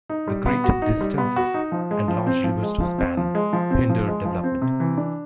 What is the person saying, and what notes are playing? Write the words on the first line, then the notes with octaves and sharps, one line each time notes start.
The great distances, and large rivers to span, hindered development.
D#4
G3
B3
F#4
D#4
G3
B3
F#4
D#4
F3
G#3
F3
C4
F3
G#3
F3
C4
F3
G#3
F3
C4
F3
G#3
F3
C4
C3
E3
D4